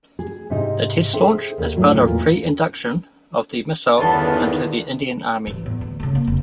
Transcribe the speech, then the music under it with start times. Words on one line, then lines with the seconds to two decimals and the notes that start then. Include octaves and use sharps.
The test launch is part of pre-induction of the missile into the Indian Army.
0.19 G#4
0.50 G#2 C3 D#4 D#5
1.13 G#4 A4 C5 E5 G5
1.58 D#2
1.77 D2 A2 F#3
2.02 E2 A#2
3.98 E2 G2 D3 D#3 B3 C#4 F4 A5
5.47 A1 E3
5.66 E2
5.81 D2
6.00 C#3 A3
6.15 A#3
6.27 F1